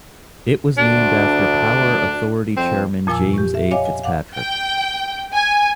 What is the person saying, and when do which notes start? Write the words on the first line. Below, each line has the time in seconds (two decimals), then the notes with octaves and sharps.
It was named after Power Authority Chairman James A. FitzPatrick.
0.77 D2 D4
2.57 F2 C4
3.07 F2 A#2 F3 G#5 D6 E6
3.33 G4 C#6
3.55 E5
3.71 C#5 D#5 F5 G#5 D6
3.85 G#5
4.03 F5 F#5 D6
4.36 G5
5.35 G#5